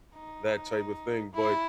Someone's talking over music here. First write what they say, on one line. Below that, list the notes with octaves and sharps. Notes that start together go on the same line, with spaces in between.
that type of thing, but,
D#4
E4